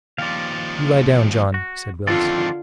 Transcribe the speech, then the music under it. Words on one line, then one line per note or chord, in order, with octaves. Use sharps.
"You lie down, John," said Willis.
D#2 F3 D5 F5
F#4
F2 D3 D#3 C4 D4 F4 A4